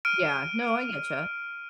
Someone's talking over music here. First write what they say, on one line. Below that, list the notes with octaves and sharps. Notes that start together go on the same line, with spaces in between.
Yeah, no, I get ya.
F6 D7 D#7